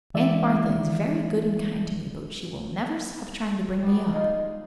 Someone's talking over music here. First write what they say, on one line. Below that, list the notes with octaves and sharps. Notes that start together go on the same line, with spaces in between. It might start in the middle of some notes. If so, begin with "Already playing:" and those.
Aunt Martha is very good and kind to me, but she will never stop trying to bring me up.
D3 E3 G#3 E4 D5 E5
G3 B3
G#3 D#4 F4